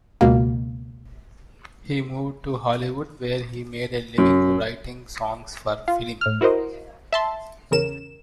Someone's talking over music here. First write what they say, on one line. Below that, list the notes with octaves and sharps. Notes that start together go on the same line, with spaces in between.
He moved to Hollywood where he made a living writing songs for film.
C#2 B2 A#3
F#2
F4
A2 F6
E4 F#4 A#4 C5 D#5
E5 A5 C6
E2 C#3 A#4 E7